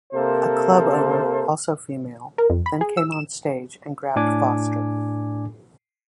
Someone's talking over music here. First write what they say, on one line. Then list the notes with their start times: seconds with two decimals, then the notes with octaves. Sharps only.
A club owner, also female, then came on stage and grabbed Foster.
0.13 C3 A#3 A4 A#4 C5
2.38 A#4
2.50 F2
2.66 B5
2.81 G#4
2.97 E6
3.12 E7
4.16 A2 D4 G#5 D6